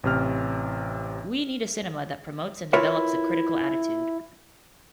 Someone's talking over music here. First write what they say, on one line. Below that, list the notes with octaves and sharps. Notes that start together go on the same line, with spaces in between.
We need a cinema that promotes and develops a critical attitude.
A1 C3 F6
E4 F4 A#4 B4 C#5 E5